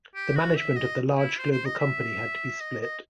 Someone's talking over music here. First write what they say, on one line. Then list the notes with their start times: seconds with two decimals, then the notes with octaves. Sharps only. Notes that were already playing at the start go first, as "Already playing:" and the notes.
The management of the large global company had to be split.
0.15 G4
0.35 F#4
0.56 E5
0.76 D#5
1.18 E4
1.38 C5
1.51 C5
1.65 D#5
1.79 E5
2.60 D#5
2.81 D#5